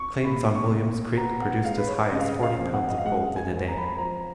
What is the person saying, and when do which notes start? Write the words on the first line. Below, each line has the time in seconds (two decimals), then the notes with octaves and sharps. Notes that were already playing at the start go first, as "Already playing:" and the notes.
Claims on William's Creek produced as high as forty pounds of gold in a day.
Already playing: C#6
0.24 A#2 B5
0.55 C#6
0.71 A#2
1.17 B3 A#5
1.41 F#5
1.64 G#3 F5
1.78 B4
1.88 C#5
2.12 C#3 D#5
2.20 F5
2.29 D#5
2.43 F5
2.58 F2
2.73 F#5
2.90 D#5
2.98 F5
3.05 G#3 F#5
3.36 G#5
3.52 F3
3.68 A#5
3.78 B5
3.88 A#5
3.98 F3 A#5